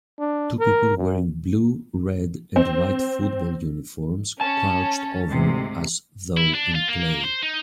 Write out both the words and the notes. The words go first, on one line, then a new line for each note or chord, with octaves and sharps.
Two people wearing blue, red, and white football uniforms crouched over as though in play.
D4
A#4
F#2
C4
C#4 A5
D2 G#2 C3
E4
D4
F4
A#3
C5
D#4